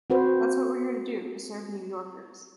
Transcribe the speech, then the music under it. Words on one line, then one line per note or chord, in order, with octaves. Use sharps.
That’s what we’re here to do, to serve New Yorkers.
C4 F#4 B4 C5